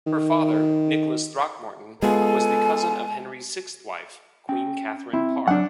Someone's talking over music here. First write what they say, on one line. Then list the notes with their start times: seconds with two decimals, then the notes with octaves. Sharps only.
Her father, Nicholas Throckmorton, was the cousin of Henry's sixth wife, Queen Catherine Parr.
0.07 D#3
2.02 G#3 B3 F4 G#4 A4 G#5
4.49 C#4 G5
5.13 C4 E4
5.48 F#3 D4 F#5